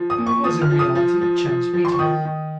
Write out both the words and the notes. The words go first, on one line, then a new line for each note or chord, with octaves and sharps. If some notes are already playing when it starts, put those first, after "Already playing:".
It was in reality a chance meeting.
Already playing: F3
D#6
A#2
C#6
F3 D#6
F6
F3
D#6
F3
F3
F3
F3
C6
C#6
D#3 D#6
D#3